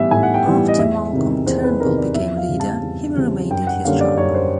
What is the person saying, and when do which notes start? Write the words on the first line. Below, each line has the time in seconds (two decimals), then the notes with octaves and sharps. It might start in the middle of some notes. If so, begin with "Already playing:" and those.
After Malcolm Turnbull became leader, he remained in his job.
Already playing: A2 E3 G3 B3 E5
0.11 A2 G#5
0.23 F#5
0.34 G5
0.45 E3 G3 B3
0.68 D#5
0.78 E2 E5
1.13 C3 D#3
1.46 E2 C5
1.64 B4
1.80 C3 D#3 A#4
1.98 D5
2.14 E2 E5
2.37 F5
2.48 C#3 E3 G3 C4
2.60 A5
2.83 E2
3.16 C#3 E3 G3 C4
3.50 F#2 G5
3.67 F#5
3.84 D3 G3 A#3 C#4 F5
4.01 D5
4.18 F#2 C#5
4.34 C5